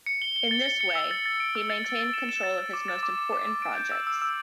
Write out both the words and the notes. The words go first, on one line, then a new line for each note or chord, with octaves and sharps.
In this way, he maintained control of his most important projects.
C#7
G7
G7
A6
C#7
C#7
E6
A6
A6
D7
E6
A6
A6
A6
E7
E7
A6
A6
D6
A6
D6
D6
D6
D6
D7
G6
E6
E6
E6